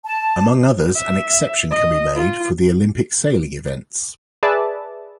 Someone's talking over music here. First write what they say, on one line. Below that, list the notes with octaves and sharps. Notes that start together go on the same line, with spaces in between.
Among others, an exception can be made for the Olympic sailing events.
A5
E5
D#5
F4
G#4 B4 D5 E5 A5